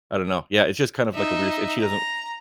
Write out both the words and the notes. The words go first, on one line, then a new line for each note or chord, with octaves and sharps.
I don't know, yeah, it's just kind of like a weird s and she doesn't
D#4 E5
A#5